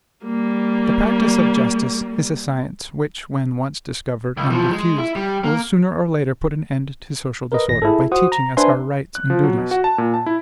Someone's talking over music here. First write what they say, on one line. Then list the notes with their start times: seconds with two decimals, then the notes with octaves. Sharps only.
The practice of justice is a science which, when once discovered and diffused, will sooner or later put an end to social disorder, by teaching us our rights and duties.
0.24 G3 A#3
4.37 C#2
4.50 E3 F3
4.71 G#3
4.99 E4
5.16 G3
5.44 A#3
7.52 A#4 B4 D#5
7.69 G#1 A#6
7.82 E4 G#4 A4
8.12 F#4 C5 F#5 D#6
8.32 A#5
8.57 D4 B4 C5 E5 G#5 C6
9.15 F#6
9.30 F3
9.43 F#3
9.58 B2
9.71 F#4
9.84 A5
9.98 A#2
10.14 A5
10.26 E4